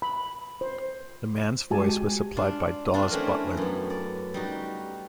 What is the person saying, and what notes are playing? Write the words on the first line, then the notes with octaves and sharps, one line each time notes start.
The man's voice was supplied by Daws Butler.
B5
C5
G#3 F#4 G4 G#5 A5
D4 F4
A3 C4 D4 F4
A3 C4 C#4 E4 A#4 B4
F#2 B3
D5
G3 D#4 F#4